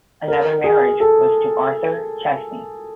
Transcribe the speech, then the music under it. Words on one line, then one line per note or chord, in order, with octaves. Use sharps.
Another marriage was to Arthur Chesney.
A#4
G#4
A4